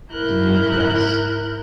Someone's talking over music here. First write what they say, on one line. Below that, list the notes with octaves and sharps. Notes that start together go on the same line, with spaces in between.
The New Class?
G#2 E4 A#4 F#6 G6